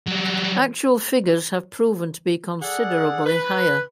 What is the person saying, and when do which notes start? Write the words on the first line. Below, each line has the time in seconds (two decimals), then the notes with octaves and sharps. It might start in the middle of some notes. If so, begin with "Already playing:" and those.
Actual figures have proven to be considerably higher.
0.07 F#3 G3
2.62 G#4 A4 D5 F#5
3.26 B4